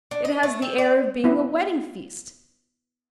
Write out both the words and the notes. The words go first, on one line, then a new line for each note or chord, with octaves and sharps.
It has the air of being a wedding feast.
D4
D#5
A3
C4
D5
B3 E4